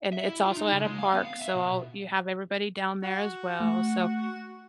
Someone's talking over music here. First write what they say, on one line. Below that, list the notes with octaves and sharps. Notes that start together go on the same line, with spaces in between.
and it's also at a park, so I'll you have everybody down there as well, so
E5
E4
F4
D#4
C#3
G#3
F5
B3
F5
E5
B2
F#4
A3